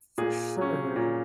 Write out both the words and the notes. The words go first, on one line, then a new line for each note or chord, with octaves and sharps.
For sure.
A#2 G#4
F#3 C#4
A#2